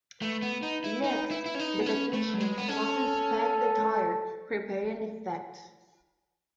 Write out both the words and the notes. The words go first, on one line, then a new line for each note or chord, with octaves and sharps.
Next, the technician must inspect the tire, repairing defects.
A3 B4
B3
D#4
E4
D#4
E4
E4
C#4
D#4
B3
C#4
A3
F#3
G#3
B3
C#4 A4